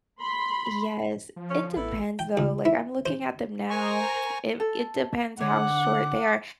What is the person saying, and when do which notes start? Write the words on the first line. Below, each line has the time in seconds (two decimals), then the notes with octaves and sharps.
Yes. It depends, though, like, I'm looking at them now. It it depends how short they are
0.21 B5 C6
1.36 F3
1.50 D3 C#4
1.77 A1 B3 E4 A4
2.19 G5
2.37 C#2
2.65 E4
3.06 C5
3.70 A#4 C5 G#5 A#5 C#6
4.60 A4
5.41 D3 C#5 F#5 D6